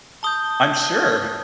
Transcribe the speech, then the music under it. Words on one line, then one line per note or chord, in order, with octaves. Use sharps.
I'm sure!
A5 D#6 G6 G7